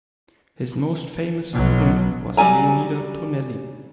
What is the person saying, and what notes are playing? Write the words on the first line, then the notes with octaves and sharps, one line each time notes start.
His most famous student was Leonida Tonelli.
B1 F#3
F#3 G3 A3 G#5 A#5